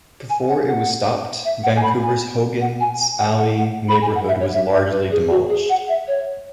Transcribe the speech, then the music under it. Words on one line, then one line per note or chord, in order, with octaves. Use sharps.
Before it was stopped, Vancouver's Hogan's Alley neighbourhood was largely demolished.
G#5
F#5
F#5
E5
F#5
G#5
B5
G#5
F#5
G#5
G#5
F#5
F#5
F#5
B5
G#5
F#5
E5
C#5
E5
E5
B4
G#4
F#4
G#4
F#5
E5
C#5